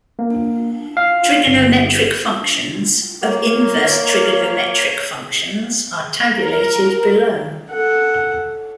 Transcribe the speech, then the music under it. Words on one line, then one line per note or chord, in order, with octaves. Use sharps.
Trigonometric functions of inverse trigonometric functions are tabulated below.
A#3
F5
G1
A#3 C#5
A#4
A4 F#5